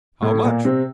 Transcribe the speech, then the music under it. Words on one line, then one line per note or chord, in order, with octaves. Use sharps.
How much?
A2 A3
A#2 A#3
C3 C4